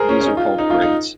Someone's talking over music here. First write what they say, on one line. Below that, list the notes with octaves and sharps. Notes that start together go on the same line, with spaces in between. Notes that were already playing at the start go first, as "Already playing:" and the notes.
These are called grades.
Already playing: G#4 A#4 C5
C#4
C#4
D#4
F4
D#4
F4
D#4